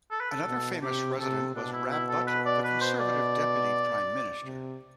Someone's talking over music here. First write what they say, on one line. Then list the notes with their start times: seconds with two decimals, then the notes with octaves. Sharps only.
Another famous resident was Rab Butler, the Conservative Deputy Prime Minister.
0.11 A4
0.20 B4
0.31 A4
0.47 B2
0.82 C3 G4
1.18 C3 A4
1.55 B2 D4
1.73 E4
1.91 E4
2.09 A4
2.27 B4
2.46 D5
2.64 B4
2.81 C5
3.00 D5
4.44 C3